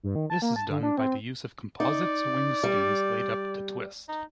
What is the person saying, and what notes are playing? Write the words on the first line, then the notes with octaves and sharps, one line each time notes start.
This is done by the use of composites wing skins laid-up to twist.
G2
D#3
A5
A#3
A5
D3
D4
C4
D#4 D5
G3
D#4